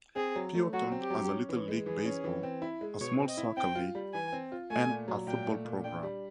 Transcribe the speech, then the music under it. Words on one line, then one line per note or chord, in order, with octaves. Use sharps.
Peotone has a little league baseball, a small soccer league, and a football program.
C4 G#4
F#3
A3
F#3 F#4
C4
G4
F#3
C#4
E3
G#3
E3 G#4
C#4
E3
C4
E4
G#3
B2 C#5
C4
D#5
E4
C4 G5
F4
G3
E3 G#5
C4
F4
A3 G#5
A#2
F#3
A#2 G5
A3
A#2
D4 G5
G3